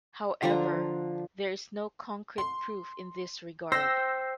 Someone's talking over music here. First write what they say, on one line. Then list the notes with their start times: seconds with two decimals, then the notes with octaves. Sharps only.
However, there is no concrete proof in this regard.
0.42 D3 F3 D4 A#5
2.38 C6
3.72 C5 G5 E6 A#6